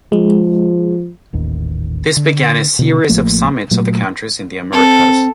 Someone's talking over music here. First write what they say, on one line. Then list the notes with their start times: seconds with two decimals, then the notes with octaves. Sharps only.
This began a series of Summits of the countries in The Americas.
0.12 F3 G#3
1.33 D#1 A1 D#2
2.17 D3
2.79 B2 D3
3.09 A1 F3 A3 A#3
3.71 A#2 F#3 A3
4.72 C4 A4